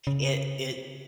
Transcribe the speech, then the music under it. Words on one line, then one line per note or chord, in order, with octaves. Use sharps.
it it
C#3